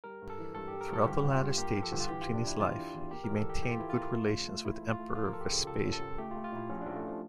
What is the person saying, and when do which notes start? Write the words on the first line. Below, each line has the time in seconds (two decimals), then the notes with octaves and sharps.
Throughout the latter stages of Pliny's life, he maintained good relations with Emperor Vespasian.
0.04 G3 A#4
0.21 G2
0.30 A4
0.39 E3
0.55 G2 A4
0.68 G4
0.73 G3
0.81 A#4
0.89 G2 A4
1.06 G1 G4
1.24 G1
1.31 F4
1.40 G2
1.57 A#3 G4
1.75 F3
1.83 A4
1.92 G1
2.00 F4
2.09 E3 G4
2.22 F4
2.26 F1
2.34 D4
2.43 F1 E4
2.60 E2 F4
2.77 E3
2.94 E2
3.11 A#3 G4
3.24 A#4
3.28 A1
3.37 A4
3.45 A1 G4
3.62 E3 G4
3.71 F4
3.79 E3 E4
3.90 F4
3.97 A#3
4.13 A3
4.31 C#3
4.47 A3
4.65 E3 E4
4.81 A3
4.90 F4
4.99 A3
5.15 F3 F4
5.25 A#4
5.33 F3 A4
5.41 G4
5.50 C#3
5.67 C#2 A4
5.84 C#4
5.93 A4
6.01 C#2
6.18 A3 G4
6.31 F4
6.36 A3
6.44 F4
6.52 A#2 E4
6.70 A#1 C#4
6.82 D4
6.86 A#1
6.96 A3
7.08 F3